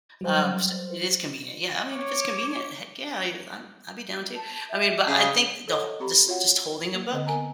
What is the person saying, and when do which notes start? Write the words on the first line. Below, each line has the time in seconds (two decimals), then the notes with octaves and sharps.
Um, so it is convenient. Yeah, I mean, if it's convenient, heck, yeah, y I'm I'd be down too. I mean, but I think the hol just just holding a book,
0.21 F#3 G3 C5
1.92 C#5 D6
4.35 A5
4.69 E5
5.07 C#3
5.68 A4 C#5 D#5 F#5
6.00 C4 G4 A#5 B5
6.27 F4 F#4 C#5 E5 F#5
6.94 A#3
7.13 D3 C4 B4 D#5
7.26 B3 A#4 G#5 A#5